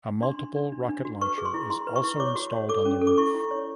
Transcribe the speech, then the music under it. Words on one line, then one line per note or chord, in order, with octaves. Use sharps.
A multiple rocket launcher is also installed on the roof.
D4 C6
D4
D4
D4
D4
F#4
B4 C#6
G#4
C6
E4
E4 C6
B4
C#6
E4
C#5 D6
F#4
C#5
A4 D6
C#4
A4
D6
E4 C#6
E4
C#5